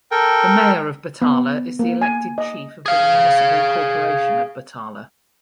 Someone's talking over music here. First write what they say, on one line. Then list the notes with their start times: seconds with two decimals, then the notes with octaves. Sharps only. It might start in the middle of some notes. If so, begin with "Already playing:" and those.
The Mayor of Batala is the elected chief of the Municipal Corporation of Batala.
0.11 A4 A#4 G5
1.22 B3
1.79 A#3
2.02 G#5
2.38 D#5
2.86 G#4 F5